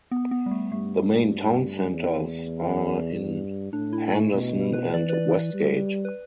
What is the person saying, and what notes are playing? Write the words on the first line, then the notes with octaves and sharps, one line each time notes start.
The main town centres are in Henderson and Westgate.
B3
B3
G3
A3
G2 A3
E2
G2
A2 D4
E4
A3
B2
B4
E3 D5
B4
D5
B4
G3
B4